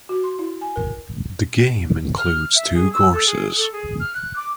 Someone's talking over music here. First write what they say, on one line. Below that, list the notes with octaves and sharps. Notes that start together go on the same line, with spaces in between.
The game includes two courses.
F#4
C6
E4
G#5
A#4
F6
E5
G#4
E6
A4
G#4
A4
G#4
F6
F#6
D6